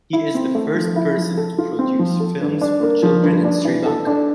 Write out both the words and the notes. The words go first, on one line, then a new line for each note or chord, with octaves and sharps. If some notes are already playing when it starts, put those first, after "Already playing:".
He is first person to produce films for children in Sri Lanka.
E4
C4
A3
F3
E4
F3
A4
F4
C4
F3
A4
G2
D4
A#3
F3
G2
D4
E3
A4
D4